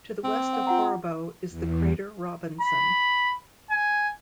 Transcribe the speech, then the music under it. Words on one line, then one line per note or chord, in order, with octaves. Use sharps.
To the west of Horrebow is the crater Robinson.
C4
F#5
F4 F#5 A#5
E2
B5
G#5